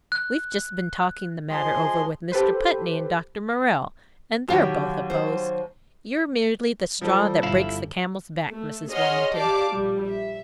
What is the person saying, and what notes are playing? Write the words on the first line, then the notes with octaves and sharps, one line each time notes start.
"We've just been talking the matter over with Mr. Putney and Dr. Morrell, and they're both opposed. You're merely the straw that breaks the camel's back, Mrs. Wilmington."
F#6
F3 G#3 G#4 C6
G4 A4 B4 C5
D#2 F#3 G4 D7
C5
F3 G3 A4
G1 E4 F5
A3
G#4 C#5 D#5 F#5 C6 F6
G4 D5 F5 A5 D6
A#1 G3
E5